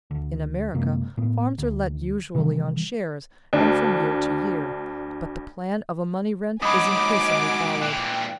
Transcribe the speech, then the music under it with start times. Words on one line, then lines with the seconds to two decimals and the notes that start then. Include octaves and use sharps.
In America farms are let usually on shares, and from year to year, but the plan of a money rent is increasingly followed.
0.11 D2
0.74 F#2 C3 G#3 A#3
1.17 A2 B3
1.58 D2
2.35 C3 D#3 E3 G3
3.53 D2 D4
6.62 G#2 F#3 D#5 G#5 B5 D6 D#6
7.82 A#2 E3 G5 F#6